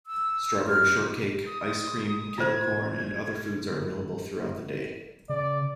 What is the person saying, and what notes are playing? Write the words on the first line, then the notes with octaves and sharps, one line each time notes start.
Strawberry shortcake, ice cream, kettle corn and other foods are available throughout the day.
E6
F6
D#6
F4 C5 G#6
C#3 D5